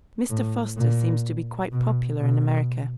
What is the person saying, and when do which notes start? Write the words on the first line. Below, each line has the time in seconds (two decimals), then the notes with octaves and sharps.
Mr. Foster seems to be quite popular in America.
0.30 A2
0.77 A#2
1.72 B2
2.20 B2